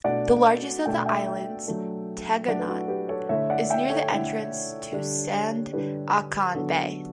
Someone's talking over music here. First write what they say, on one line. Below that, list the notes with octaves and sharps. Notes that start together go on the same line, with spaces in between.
The largest of the islands, Taganak, is near the entrance to Sandakan Bay.
B2 A3 D4 D5 F#5
B2 A3 D4 G5
E5 G5
F#3 A3 D4
F#3 A3 D4 D5 F#5
B4
F#4 A4
G4 B4
A4 C#5
D3 A3 E4 C#5 E5
D5 F#5
E5 G5
A4 C#5
D3 A3 E4
D3 G3 D4
D3 G3 D4 G4 B4
D3 F#3 B3 D4 F#4 A4